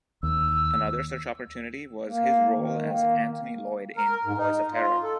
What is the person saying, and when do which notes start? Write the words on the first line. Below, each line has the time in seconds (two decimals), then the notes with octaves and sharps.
Another such opportunity was his role as Anthony Lloyd in "Voice of Terror".
0.23 D#2 E6
2.06 A#3
2.54 D#3
2.91 A#3
3.96 A#4
4.25 G#2
4.38 D#4
4.72 F4
5.03 A4